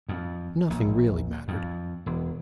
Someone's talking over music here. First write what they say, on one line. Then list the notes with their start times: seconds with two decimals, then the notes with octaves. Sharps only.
Nothing really mattered.
0.09 F2
0.70 A#1
1.48 F2
2.06 E1